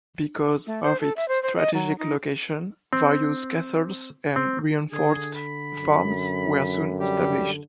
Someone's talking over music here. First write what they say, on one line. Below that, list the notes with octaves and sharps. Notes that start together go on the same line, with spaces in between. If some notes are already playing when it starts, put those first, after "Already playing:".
Because of its strategic location, various castles and reinforced farms were soon established.
A3
C5
A4
E5
C5
C5
D#5
F#3
D#4
C4
C4
D3 G#4
B5
F#2
G3 G4